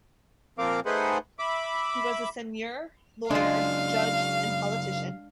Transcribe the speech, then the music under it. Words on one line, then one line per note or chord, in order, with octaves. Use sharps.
He was a seigneur, lawyer, judge and politician.
A#2 F3 C4 A#4 F5 D6
A3 D#4 G#4 B4 C5 F#5
E5 B5 D6
C#3 F#3 G#3 D4 F4 F5